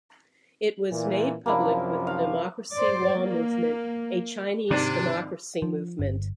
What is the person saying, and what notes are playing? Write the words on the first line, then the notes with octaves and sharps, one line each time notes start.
It was made public with the Democracy Wall Movement, a Chinese democracy movement.
A#2 E3
F#2 C3 F3 A#3 D4 E4
F5
C5 D5
A#3
G#1 C3 D#3 D4 D5
F3
G1